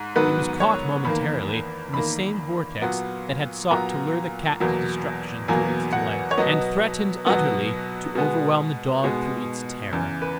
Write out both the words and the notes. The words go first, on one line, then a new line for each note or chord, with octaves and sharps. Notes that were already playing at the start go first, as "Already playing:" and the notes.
He was caught momentarily in the same vortex that had sought to lure the cat to destruction through its delight, and threatened utterly to overwhelm the dog through its terror.
Already playing: G#2
G#2 D#3 F#3 B3 B4
C#5
E2 D#3 A#3 B5
E2 D#3 A#3 B5
A#2 F#3 B3
A#2 F#3 B3 A#5
E2 B2 F#3 A#3
E2 B2 F#3 A#3 G#5
F#5
C#5
B2 F#3 B3 D#5
B2 F#3 B3
B2 G#3 B3
B2 G#3 B3
E2 C#3 E3
B4